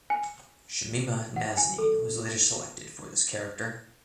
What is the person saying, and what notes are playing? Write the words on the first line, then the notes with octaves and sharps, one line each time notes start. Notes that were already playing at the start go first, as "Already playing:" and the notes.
Shamima Nazneen was later selected for this character.
G#5
F#5
G#5
A4